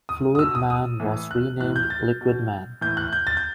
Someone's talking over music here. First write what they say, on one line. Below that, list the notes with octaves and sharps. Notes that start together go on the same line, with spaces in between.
Fluid Man was renamed Liquid Man.
D#6
D#6
B2 E6
D#6
D#6
A2 E3
F#6
A2 E3 F#6
G6
A6
B2
A2 E3 G6
F#6
G6
A6
G6